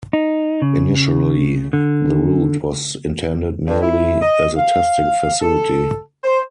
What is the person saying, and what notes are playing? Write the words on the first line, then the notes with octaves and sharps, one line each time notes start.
Initially, the route was intended merely as a testing facility.
D#4
C#3
D3
G2
E4
D#5
F5
A4
C5